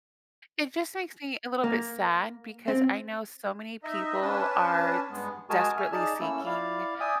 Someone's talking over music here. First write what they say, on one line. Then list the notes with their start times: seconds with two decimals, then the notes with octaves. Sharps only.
It just makes me a little bit sad because I know so many people are t desperately seeking
1.64 A#3
2.68 C4
3.84 D#4 D#5 E5
4.22 C#4 D4 B4 A5
5.10 G2 G#3 B3
5.50 G#3 F#4 G#4 A#4 G#5 A5
5.77 E5 G#5 F6
5.92 D#4 G#4 D5 A5
6.20 A3 A#3 C#4 E4 E6
6.46 E4 D5 F5
7.00 D5 E5 G5 G#5 D#6